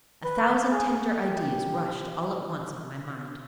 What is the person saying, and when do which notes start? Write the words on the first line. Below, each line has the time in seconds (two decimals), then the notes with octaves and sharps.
A thousand tender ideas rushed all at once on my mind.
0.24 B4
0.71 G#4
1.17 G4